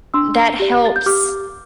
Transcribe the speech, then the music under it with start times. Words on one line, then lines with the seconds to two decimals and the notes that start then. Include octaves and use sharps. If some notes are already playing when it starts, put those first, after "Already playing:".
that helps,
0.14 D4 C6 E6
0.60 G4 D5
0.85 A6
0.96 G6
1.06 G4 D6 F6